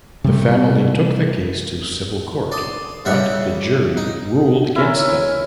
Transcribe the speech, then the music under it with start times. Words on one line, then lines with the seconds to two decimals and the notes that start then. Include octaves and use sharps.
The family took the case to civil court but the jury ruled against them.
0.24 C3 G3 A3
2.52 D5 C6 D#6
3.05 C#3 G3 E5 F#5
3.97 D#4
4.76 E4 A#4 C#5 G#5